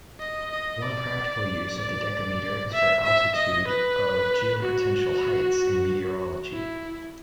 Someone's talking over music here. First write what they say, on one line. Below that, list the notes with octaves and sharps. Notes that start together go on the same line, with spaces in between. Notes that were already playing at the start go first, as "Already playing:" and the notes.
One practical use of the decameter is for altitude of geopotential heights in meteorology.
D#5
D#5
D5
D5
E5
E5
D#5
B4
F#4
E4